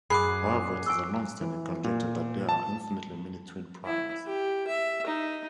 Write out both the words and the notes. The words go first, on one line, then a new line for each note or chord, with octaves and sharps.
However, it is a longstanding conjecture that there are infinitely many twin primes.
F#2 G#4 B5 D6 F#6 C7
G#5 C#6 E6
E3
A#2
A5
E4
G4
E5
D#4